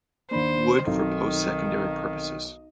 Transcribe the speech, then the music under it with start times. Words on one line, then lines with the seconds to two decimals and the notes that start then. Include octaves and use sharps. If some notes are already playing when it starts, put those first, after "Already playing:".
Wood for post-secondary purposes.
0.31 D#2 A#3 D4 C5 B5
0.87 B1 D#3 C4 D#4 A4